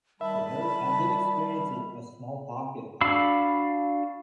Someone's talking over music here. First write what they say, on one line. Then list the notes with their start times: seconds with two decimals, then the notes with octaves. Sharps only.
So there w I did experience a small pocket of
0.21 D#3 G3 E5 A5 B5
3.01 D4 F#4 F5 B5 E6